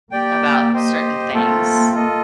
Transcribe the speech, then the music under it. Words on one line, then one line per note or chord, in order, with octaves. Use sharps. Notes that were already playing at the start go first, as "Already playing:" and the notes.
about certain things,
A#3 G4 D5 G5
G4 C5 D#5
A3 A#3 C4 F4 A4
F4 A4 D#5